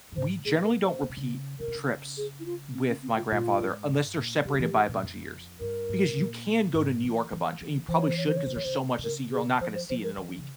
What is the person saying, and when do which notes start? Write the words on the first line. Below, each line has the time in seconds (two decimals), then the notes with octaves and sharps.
we generally don't repeat trips with my grandfather unless they're separated by a bunch of years because you can go to New York a bunch and you probably should 'cause there's so much to see, you're all not gonna see it in a week
0.12 G2
0.16 G#2 C5
0.45 A#2 G#4
0.64 A#4
0.83 C5
1.03 C#3
1.09 C3
1.17 C#3
1.60 C#3 A#4
1.68 C3
1.75 C#3
2.17 G#4
2.40 E4
2.46 F4
2.74 C4
2.89 C#4
3.02 C4
3.16 F4
3.31 A#2 F4
3.60 G#2
3.88 G2
4.17 A#2
4.45 C#3 G4
4.54 F3
4.59 E3
4.75 E3
4.89 A#2
5.03 F2
5.60 G2 A#4
5.89 G#2
6.17 A#2
6.74 G#2
7.03 E3
7.32 E3
7.61 E3
7.88 E3 C5
7.99 C#5
8.07 C5
8.17 C#5
8.27 C5
8.37 C#5
8.46 C#3 C5
8.55 E3 C#5
8.64 C#3 C5
8.99 C3
9.04 C#3 A#4
9.32 G#4
9.60 F3 C5
9.75 C5
9.90 F3 C5
10.03 A#4
10.18 E3
10.38 C#3